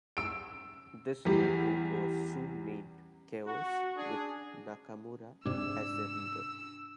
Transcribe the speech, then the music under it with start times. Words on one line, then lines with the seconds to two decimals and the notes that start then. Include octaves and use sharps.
This new group was soon named Chaos with Nakamura as their leader.
0.17 E6 D7
1.25 E2 G3
3.46 F#4
3.97 D4 G#4
5.46 G#2 C3 G#3 D4 E6